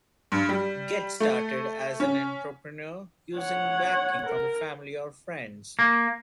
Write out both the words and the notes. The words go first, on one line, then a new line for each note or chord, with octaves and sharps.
Get started as an entrepreneur using backing from family or friends.
G2
G3
A3
C#4
C#5 F#5
A#4
A#3